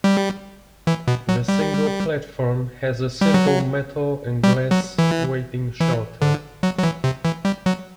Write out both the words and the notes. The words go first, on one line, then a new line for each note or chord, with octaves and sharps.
The single platform has a simple metal and glass waiting shelter.
G3
E3
B2
F#3
G3
G3
F#3
G3
F#3
E3
E3
D3
F#3
F#3
E3
C3
E3
G3
F#3